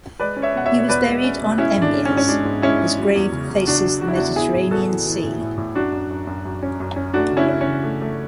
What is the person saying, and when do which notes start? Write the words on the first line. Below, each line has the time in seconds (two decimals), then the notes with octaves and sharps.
He was buried on Embiez; his grave faces the Mediterranean sea.
0.20 G#3 B4 D5
0.36 C#4
0.42 C#5 E5
0.55 B2 F#5
0.65 C#5 E5
0.72 B2
0.79 C#5
0.89 E2 B4 D5
1.07 G#3
1.24 C#4
1.42 B2
1.58 G#3 C#4 E4
1.76 G#2
1.82 D4
1.94 C#4
2.05 C#4
2.10 G#2
2.17 C#4
2.28 G#3 D4
2.45 G#2
2.62 G#3 C#4 E4
2.81 G#3
2.97 F#3
3.15 E2
3.32 C#3
3.50 C#3
3.67 C#3 D4 F#4
3.85 F#3
4.01 C#3 F#4
4.08 E4
4.15 E2 D4 F#4
4.36 B3 E4 G#4
4.53 A2
4.71 B3 F#4 A4
4.89 E3
5.06 E3
5.24 A2
5.41 A2
5.57 A2
5.75 F#2 D4 F#4
5.92 F#2
6.11 F#2
6.27 F#2
6.45 F#2
6.63 C#4
6.80 F#2
6.96 C#4
7.14 A3 D4 F#4
7.32 C#3
7.37 C#4 E4
7.48 C#4
7.61 C#4
7.66 C#3
7.83 A3
8.02 A3